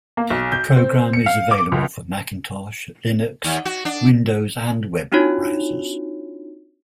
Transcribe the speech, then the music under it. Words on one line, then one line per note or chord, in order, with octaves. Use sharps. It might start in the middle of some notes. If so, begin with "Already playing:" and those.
The program is available for Macintosh, Linux, Windows, and web browsers.
A#3
B1
G6
C4
C#7
F5
D6
C#2
D#2
F#4
D4
C4 D4 D#4 F4 F#4 C#5